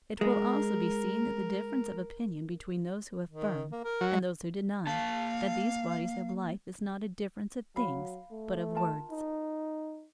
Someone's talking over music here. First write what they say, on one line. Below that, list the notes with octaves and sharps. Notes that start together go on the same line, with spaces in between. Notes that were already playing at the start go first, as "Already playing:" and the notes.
It will also be seen that the difference of opinion between those who affirm, and those who deny, that these bodies have life, is not a difference of things but of words.
G#3 A#4
D#3
A#3
A#4
F#3
A#3 F5 A5
F#3 F5 B5
A3
F4 A#4 A5
D#4